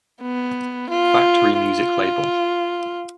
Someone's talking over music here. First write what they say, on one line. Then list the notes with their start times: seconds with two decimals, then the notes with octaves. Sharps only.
Factory music label.
0.22 B3
0.90 F4
1.58 F4